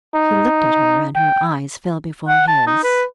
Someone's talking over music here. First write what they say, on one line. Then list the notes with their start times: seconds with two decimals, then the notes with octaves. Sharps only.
He looked at her, and her eyes fell before his.
0.15 D#4
1.15 G5
2.28 F#5
2.48 A5
2.67 D#4
2.84 B4